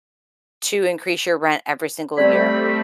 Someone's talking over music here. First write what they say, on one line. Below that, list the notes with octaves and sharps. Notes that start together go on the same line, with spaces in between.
To increase your rent every single year
G3 A3 C4 D5 B5